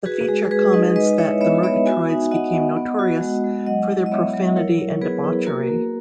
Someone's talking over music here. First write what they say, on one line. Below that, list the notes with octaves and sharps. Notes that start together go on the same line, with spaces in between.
The feature comments that the Murgatroyds became notorious "for their profanity and debauchery".
F#4 G#4 B4
G#3 G#4
G#3 G#4 B4
D#4 B4 D#5
G#3 B4 D#5
E4 C#5 E5
B3 C#5 E5
B3 C#5 E5
F#4 E5 G#5
D#4
F#4 D#5 F#5
B3
B3
F#4
G#3
G#3
F#3 D#5 F#5
E4
D#5
B3 C#5 E5
F#3
E4 A#4 C#5
E4
B3 G#4 B4
E4
A#3 F#4 A#4
A#3